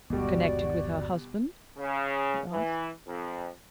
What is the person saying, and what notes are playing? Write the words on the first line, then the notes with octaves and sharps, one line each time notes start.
"Connected with her husband?" he asked.
G1 D#2 B2 G3 G#3 F#4 D5
C#3
E3
F2